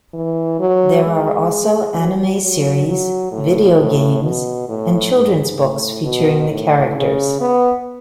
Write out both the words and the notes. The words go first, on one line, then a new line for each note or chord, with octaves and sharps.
There are also anime series, video games and children's books featuring the characters.
E3
F#3
G#3
F#3
F#3
F#3
A2
A2
B2
A2
G#2
A2
B2
A2
C#3
B3